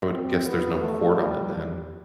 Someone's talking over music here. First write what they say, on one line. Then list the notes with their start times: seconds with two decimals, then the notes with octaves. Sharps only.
I would guess there's no cord on it then,
0.11 C4
0.47 B3
0.82 A3
1.17 G3